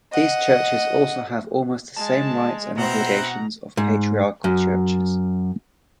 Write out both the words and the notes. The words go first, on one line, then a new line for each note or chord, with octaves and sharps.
These churches also have almost the same rights and obligations of Patriarchal Churches.
D#5 F#5
G#3 A5
B2 C4 E4 C5 F#5 A#5
G#2
F#2